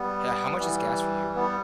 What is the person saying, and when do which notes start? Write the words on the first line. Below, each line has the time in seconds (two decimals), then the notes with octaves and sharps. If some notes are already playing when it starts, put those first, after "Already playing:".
Ho how much is gas for you?
Already playing: G3 B3
0.58 E3 G3
1.35 G3 B3